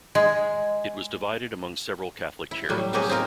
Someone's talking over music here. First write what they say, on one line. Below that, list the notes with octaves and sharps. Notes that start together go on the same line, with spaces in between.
It was divided among several Catholic charities.
G#3
E4
A2 F#3 G3
B2 F#3 A#3 C4 G4 G#4
C4 D#4 F4 A#4